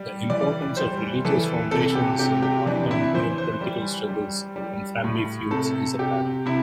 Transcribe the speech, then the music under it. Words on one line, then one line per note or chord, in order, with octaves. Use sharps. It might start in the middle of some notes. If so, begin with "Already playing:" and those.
The importance of religious foundations in Northumbrian political struggles and family feuds is apparent.
Already playing: G3
E3 D5
G3 C5
E3 A4
C3 A4
G4
C3 G4
G4
E3 D4
E4
E3 C5
C5
G3
G3
G3
A2
C3 A4
C3 G4
C3 E4